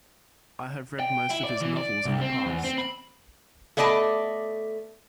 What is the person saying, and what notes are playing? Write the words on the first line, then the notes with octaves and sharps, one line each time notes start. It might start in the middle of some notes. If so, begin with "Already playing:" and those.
I have read most of his novels in the past.
G5
E4
D5
E3
D5
C2
C4
E2
C4
B5
A3 B3 D5 D#5 G#5 A5